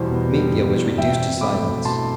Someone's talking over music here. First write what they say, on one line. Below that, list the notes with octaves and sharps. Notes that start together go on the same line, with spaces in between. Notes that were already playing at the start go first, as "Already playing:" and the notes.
Mitya was reduced to silence.
Already playing: E2 B2 G3 B3 C5
B3
G3
B2
E2
B2 E5 G5
C4
A3 B5 D6
B2
B2 A5 C6